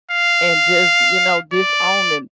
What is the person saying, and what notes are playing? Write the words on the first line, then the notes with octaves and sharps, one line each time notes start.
and just, you know, disowning
F5
D5